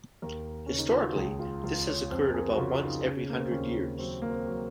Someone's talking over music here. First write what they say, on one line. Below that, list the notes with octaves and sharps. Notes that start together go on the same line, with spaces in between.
Historically this has occurred about once every hundred years.
D#2 A#4
C#3 C#4
D#4
F4
F#4
C#2 G#4
F4
C#2 F4
C#5
F2 C5
A#4
G#4
F#4
C#3 F4
F4
D#4
C#3 C#4
A#3
C4
D#2 C#4
F#3 C4
A#3
C4
F#3